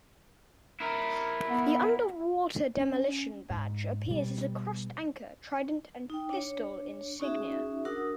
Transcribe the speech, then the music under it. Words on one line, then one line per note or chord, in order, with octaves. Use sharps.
The Underwater Demolition Badge appears as a crossed anchor, trident and pistol insignia.
E4 A#4
B3
C#4
G#2
B2 G3
D#4 G5
D4 C#5
C#4 D#4 F#4 G#4 E5
D4 F#4 A#4 F#5 D#6 E6